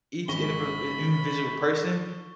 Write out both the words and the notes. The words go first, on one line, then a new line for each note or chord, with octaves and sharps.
each indivd in individual person,
G#1 G#3 B5 C#6 A#6 G7